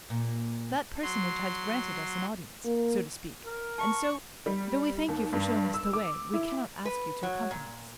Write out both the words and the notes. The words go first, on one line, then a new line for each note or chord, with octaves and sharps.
"That personage has granted us an audience, so to speak, and so, though we thank you for showing us the way, we cannot ask you to accompany us."
A#2
F#3 C6
A#3
A#4
A5 C#6
G3
D#2
G2
E6
D6
E4
B4
F#3
A#2